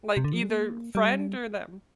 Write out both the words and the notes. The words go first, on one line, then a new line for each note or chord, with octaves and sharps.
Like either friend or them.
C3
D3
F3
G3
A#3
G3